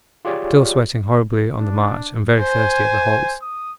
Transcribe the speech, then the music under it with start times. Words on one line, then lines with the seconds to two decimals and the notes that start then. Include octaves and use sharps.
Still sweating horribly on the march and very thirsty at the halts.
0.25 F4 G4 G#4 C#5 D5
1.53 D4
2.39 C5 G#5
3.42 D#6